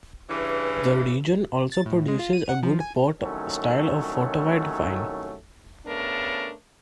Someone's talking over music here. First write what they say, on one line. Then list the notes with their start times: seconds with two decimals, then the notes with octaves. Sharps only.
The region also produces a good Port style of fortified wine.
0.30 G2 C#3 E3
1.72 A6
1.86 A2
2.08 G#3
2.19 F4
2.33 D#7
2.49 F#5
2.63 F3
2.80 G#5
3.22 C2 D#3 F#3 A3 C#4
5.86 C#3 A3 B3 D4 A#4